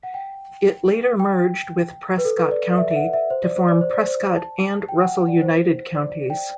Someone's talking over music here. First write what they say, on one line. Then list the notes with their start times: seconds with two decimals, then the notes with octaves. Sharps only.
It later merged with Prescott County to form Prescott and Russell United Counties.
0.03 F#5
0.14 G5
1.20 G5
2.18 B4
2.25 A4
2.38 B4
2.51 D5
2.71 D5
2.78 E5
2.91 E5
2.96 F#5
3.13 E5
3.30 C5
3.44 D5
3.56 C5
3.68 D5
3.81 C5
3.93 D5
4.07 C5
4.37 A5
4.89 G5
5.02 F#5
5.16 F#5
5.28 D5
5.42 C5
5.95 D5
6.30 G5